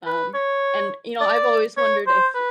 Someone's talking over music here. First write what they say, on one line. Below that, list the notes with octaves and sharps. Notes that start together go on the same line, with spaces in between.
um, and you know, I've always wondered if
B4
C#5
D5
C#5
C5
B4